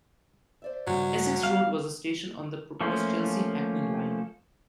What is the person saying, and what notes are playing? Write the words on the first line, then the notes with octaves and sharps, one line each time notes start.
Essex Road was a station on the proposed Chelsea-Hackney line.
C5 D5 E5
G2 C#3 F#3 G3
A3
G3 B3 F5
F3 A3 A#3 C#4 C5